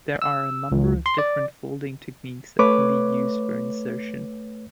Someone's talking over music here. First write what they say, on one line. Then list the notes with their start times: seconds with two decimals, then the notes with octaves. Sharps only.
There are a number of different folding techniques that can be used for insertion.
0.22 E6
0.72 C#2
1.06 C6
1.18 D5
2.59 A3 B4 C#5 D6